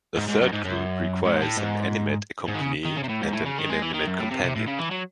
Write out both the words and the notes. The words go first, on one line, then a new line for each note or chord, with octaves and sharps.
A third group requires an animate accompanee and an inanimate companion.
G#2
G#2
F#2
G#2
F#2
G#2
A2
G#2
G#2
D#3
C#3
D#3
C#3
C3
A2
G#2
A2
C#3
D#3
G#3
E3
D#3
F#2
A2
C3
C3
A2
C#3
E3
F#3